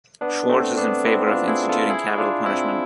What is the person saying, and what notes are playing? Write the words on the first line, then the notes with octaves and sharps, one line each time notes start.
Schwartz is in favor of instituting capital punishment.
B3 D4
A3 C4
B3 D4
C4 E4
D4 F4
E4 G#4
F4 A4
E4 G#4
D4 F4
C4 E4